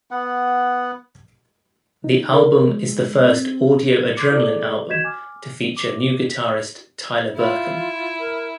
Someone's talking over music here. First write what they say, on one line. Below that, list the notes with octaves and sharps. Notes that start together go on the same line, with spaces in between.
The album is the first Audio Adrenaline album to feature new guitarist, Tyler Burkum.
B3 F#5
D#4
A#4
G#3
C4
C6 D6 C#7
E4 G#4 A4 C5 D5 D6
F#4 D#5 G6 G#6 B6 E7
G#5 D6 F6
D6
E4 F4
A#4